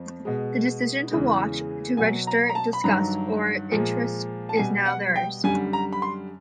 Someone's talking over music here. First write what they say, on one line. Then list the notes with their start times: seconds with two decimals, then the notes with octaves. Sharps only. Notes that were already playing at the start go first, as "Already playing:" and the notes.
The decision to watch, to register disgust or interest is now theirs.
Already playing: F2 F3
0.25 B2 G#3
1.11 E2 C#3 E3 G#3
1.97 B2 F#3 G#5
2.27 A#5
2.49 A#5
2.55 A5
2.73 B5
2.84 G2 D#3 F#3 A#5
3.71 A#2 F3 G#3
4.49 A5
4.57 B2 G3 G#5
4.86 F#5
5.16 G5
5.44 F#2 D3 G3 G#5
5.73 A#5
5.93 B5
6.02 C6